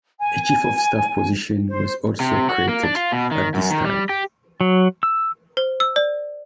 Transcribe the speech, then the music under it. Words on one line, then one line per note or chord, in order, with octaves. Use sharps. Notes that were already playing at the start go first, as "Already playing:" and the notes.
A chief of staff position was also created at this time.
G#5
C5
C3
F#4
A#3
D4
F4
B2
D#3
F#2
D#3
G3
G4
F#3
E6
C5
E6
D5